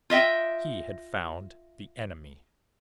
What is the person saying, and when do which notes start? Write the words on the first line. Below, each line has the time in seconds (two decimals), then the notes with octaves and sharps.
He had found the enemy.
0.10 F4 D#5 E5 G5